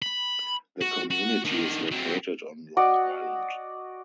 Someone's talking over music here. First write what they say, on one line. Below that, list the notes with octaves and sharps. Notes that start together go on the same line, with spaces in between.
The community is located on Long Island.
B5
F#4
F#4
D#3 D4
F#3 C4
F#4 D5 D#5